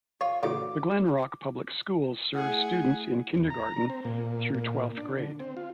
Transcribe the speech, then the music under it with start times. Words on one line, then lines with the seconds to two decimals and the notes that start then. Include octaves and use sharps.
The Glen Rock Public Schools serve students in kindergarten through twelfth grade.
0.21 F4 C#5
0.43 D2 A2 C#3 D6
2.35 A3 E4 G#4 F#5
3.37 E2
3.50 A#5
3.90 C4
4.05 A#2
4.55 A#2
4.97 D4
5.19 D3
5.40 C4
5.57 F4